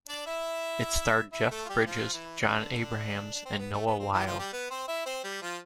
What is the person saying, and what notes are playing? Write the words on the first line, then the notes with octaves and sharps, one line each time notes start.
It starred Jeff Bridges, Jon Abrahams, and Noah Wyle.
D4 D5
E4 E5
E4 E5
A3 A4
F4
G3 G4
F3 F4
E3 E4
D3 D4
D4
C4
B3
A3
B3
C4
E3 E4
G4
F3 F4
G3 G4
B3 B4
C4 C5
E4 E5
C4 C5
G3 G4
F3 F4